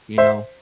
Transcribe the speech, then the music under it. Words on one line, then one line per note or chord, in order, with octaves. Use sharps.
You know?
C5 E5